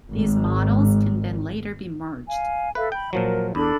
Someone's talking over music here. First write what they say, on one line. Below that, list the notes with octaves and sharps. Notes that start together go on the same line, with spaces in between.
These models can then later be merged.
G#1 G#2
F5 G#5
A4 B4 E5 F5
G5 B5
A#2 F3 F#3 A#4
E2 D4 A4 B5